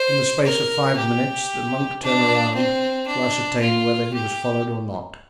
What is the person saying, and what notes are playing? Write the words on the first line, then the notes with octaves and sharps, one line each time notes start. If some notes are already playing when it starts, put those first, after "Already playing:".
In the space of five minutes the monk turned around to ascertain whether he was followed or not.
Already playing: C5
A#4
G4
D4
C4
D4
F4
G4